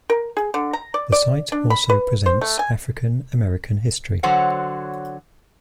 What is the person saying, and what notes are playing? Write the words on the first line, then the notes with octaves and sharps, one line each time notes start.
The site also presents African-American history.
A#4
G#4
D3
A#5
D5
D5
D4
B5
B4
C5
A3
G#5
D3 F#3 F#4 C5 C#5 F#5